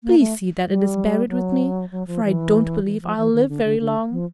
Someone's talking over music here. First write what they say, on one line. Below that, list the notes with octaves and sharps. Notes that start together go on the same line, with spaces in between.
Please see that it is buried with me, for I don't believe I'll live very long.
A#3
A3
G3
F#3
F#3
F3
E3
E3
F3
E3
D#3
D3
D3
D3
F3